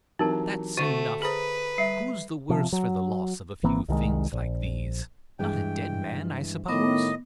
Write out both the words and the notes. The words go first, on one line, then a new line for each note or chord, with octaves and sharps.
"That's enough. Who's the worse for the loss of a few things like these? Not a dead man, I suppose."
E3 F#3 C4 D#4 G4 A#4 A5
D3 A3 F#4 C#6 D#7
G#4 B4 C5 A#5 B5 D#6
G3 E5 C7
C3 F3
F#3
G#1 E3 A#3 C4
C2 D#3 E3 G#3
A#1
G2 E3 G#3 G5
A2 D#3 B3 D#5 D6